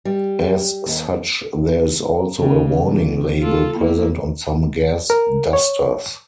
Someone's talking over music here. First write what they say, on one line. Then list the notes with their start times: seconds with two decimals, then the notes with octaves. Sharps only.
As such, there is also a warning label present on some gas dusters.
0.05 G3
0.86 D#2
2.40 C#3
2.87 E2
3.40 F4 A4
3.76 A#3 E4
5.10 A#4
5.53 C#5